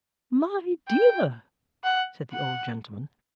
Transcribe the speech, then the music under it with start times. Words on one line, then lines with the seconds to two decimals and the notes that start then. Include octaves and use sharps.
'My dear,' said the old gentleman.
0.88 G5
1.84 F#5
2.32 F#5